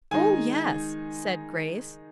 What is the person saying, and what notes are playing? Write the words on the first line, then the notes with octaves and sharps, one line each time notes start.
"Oh yes," said Grace.
D#3 G#3 D#4 G#5